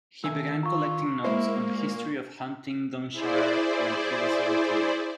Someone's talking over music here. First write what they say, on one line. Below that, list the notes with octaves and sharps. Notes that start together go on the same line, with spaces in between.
He began collecting notes on the history of Huntingdonshire when he was seventeen.
D#3 A3 G#5 E6
F4 A#5 C#6
G#3 A#3 E4 C5
A#2
E4 G#4 C5 D5